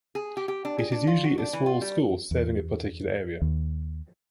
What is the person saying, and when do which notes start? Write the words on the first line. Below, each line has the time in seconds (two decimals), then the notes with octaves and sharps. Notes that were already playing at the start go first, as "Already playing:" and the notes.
It is usually a small school serving a particular area.
0.15 G#4
0.37 G4
0.48 G4
0.65 D4
0.78 G#4
0.92 D4
1.07 F4
1.24 F#4
1.38 D4
1.53 E3
1.66 F4
1.81 G3
2.31 E2
3.42 D#2